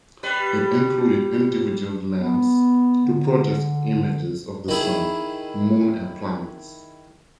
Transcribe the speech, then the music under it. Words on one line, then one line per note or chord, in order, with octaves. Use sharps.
It included individual lamps to project images of the Sun, Moon and planets.
G3 B4
B3
D3
D#3 E4 G#4